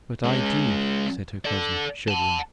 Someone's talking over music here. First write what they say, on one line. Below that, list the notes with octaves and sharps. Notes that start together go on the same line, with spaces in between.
'But I do,' said her cousin, shuddering.
G#3 C#4
A4 D5
F#5 A5